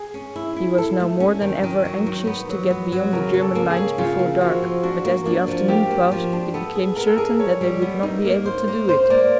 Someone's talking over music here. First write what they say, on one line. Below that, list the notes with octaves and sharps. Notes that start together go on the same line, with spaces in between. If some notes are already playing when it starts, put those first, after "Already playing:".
He was now more than ever anxious to get beyond the German lines before dark, but as the afternoon passed it became certain that they would not be able to do it.
Already playing: G#4
C#4
E4
E4
A4
A3
C#4
D#3
D#3
F#3
D#3
B3
F#3
B3
F#3
C#3 A#4
C#3
A4
A#3
G#4
C#3
C#3 F4
A#3
F3 F#4
F3
D4 F#4
A#3
A#3 D4
F3
A#3 G4
A#3
F3
D4
B3 A4
G#4
B3 A#4
A4
G#4 A#4
G3 C#5
G3
B3
D#4
A#3
C5
A#3
C5
A#3 D5